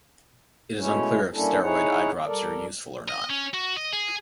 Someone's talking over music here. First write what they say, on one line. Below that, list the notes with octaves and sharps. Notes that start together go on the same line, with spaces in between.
It is unclear if steroid eye drops are useful or not.
B2 G#3 A3 C#4 E4 C#5
G3 A#3 C#4 D4 E4 A4
D#4 E4 G#4 C#5 F#5
G3 A4 A#4 D5
D#5
C#4
F#4
D#5
G#4